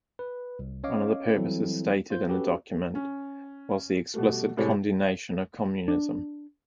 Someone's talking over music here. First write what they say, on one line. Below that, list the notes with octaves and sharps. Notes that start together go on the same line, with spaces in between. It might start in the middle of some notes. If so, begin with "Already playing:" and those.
One of the purposes stated in the document was the explicit condemnation of Communism.
B4
C2
C#4 C#5 D#5 F5 D6
E3 F#3 G3 C4 E4 A4
F4 C5 G6
C#4 F#4 G4 A4 B4
C#4
B2 G3 A3
A2 C3 G#3 E4 A4 C#5
D4